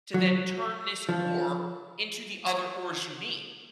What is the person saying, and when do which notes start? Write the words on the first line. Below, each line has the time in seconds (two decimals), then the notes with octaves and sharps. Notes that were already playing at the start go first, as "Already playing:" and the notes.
to then turn this ore into the other ores you need.
0.14 F#3
1.09 F3